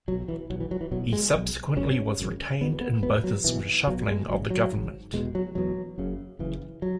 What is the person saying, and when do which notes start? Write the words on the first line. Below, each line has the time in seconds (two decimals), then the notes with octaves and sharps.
He subsequently was retained in Botha's reshuffling of the government.
0.08 B1 F#3
0.12 B2
0.28 E3
0.50 B1 B2 F#3
0.61 E3
0.71 F#3
0.81 E3
0.91 B1 B2 F#3
1.13 G#3
1.34 B1 B2
1.76 G#1 F#2 C#3 C#4
2.18 G#1 F#2 C#3
2.60 E1 E2 B2 B3
2.81 B3
3.02 E1 E2 B2 B3
3.24 F#3
3.44 B1 B2 E3
3.87 B1 B2 F#3
4.08 G#3
4.29 G#1 G#2 F#3
4.50 F#3
4.71 G#1 G#2
5.13 E1 E2 B2 G#3
5.35 F#3
5.55 E1 E2 B2 F#3
5.98 F#1 F#2 C#3
6.39 F#1 F#2 C#3 E3
6.82 F#3